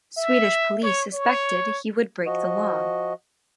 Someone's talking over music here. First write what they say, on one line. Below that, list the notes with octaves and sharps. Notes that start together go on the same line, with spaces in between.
Swedish police suspected he would break the law.
E5
C#5
C#5
F3 F#4 D#5